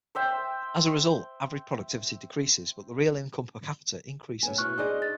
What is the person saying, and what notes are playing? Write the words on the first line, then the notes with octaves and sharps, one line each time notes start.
As a result, average productivity decreases but the real income per capita increases.
C5 E5 G5
A2 B3 G#5
B2 E4 C#6 F6 F#6
D4 D#4 G#4 C5 D5 D#5
A6